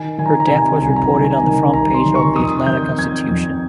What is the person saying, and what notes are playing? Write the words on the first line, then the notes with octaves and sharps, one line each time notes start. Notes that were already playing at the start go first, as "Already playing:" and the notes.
Her death was reported on the front page of "The Atlanta Constitution".
Already playing: D#3 G#5
D#3 G#5
A#5
G#5
A#5
G#5
C3 A#5
G#5
A#5
G#5
C2 A#5
G#5
A#5
G#5
D#3 A#5
G#5
A#5
G#5
D#3
C2 A#5
C6
D#3
C#6
F2 D#6
D#3 G6
F2 G#6
F2